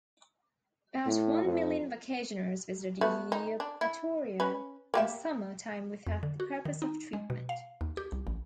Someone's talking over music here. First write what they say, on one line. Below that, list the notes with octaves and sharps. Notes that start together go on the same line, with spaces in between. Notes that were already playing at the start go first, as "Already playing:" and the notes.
About one million vacationers visited Eupatoria in summer time without the purpose of treatment.
A2
F2
A3 B3 F#4
D#4
D4
E4
C#4 B4
A#3 G4 E5
F2
D3
F#4
D#3
D#4
G#3
B2
F5
D#2
G4
C2
A1